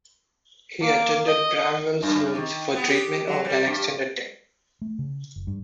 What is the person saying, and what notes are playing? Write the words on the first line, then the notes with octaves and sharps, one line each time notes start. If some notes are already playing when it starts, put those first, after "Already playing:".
He attended Bramwell's rooms for treatment over an extended time.
A#3 D6
D#5
F#2
D#3
B3
G4
F#3
G3
G2
A3
C#3
F#1
G2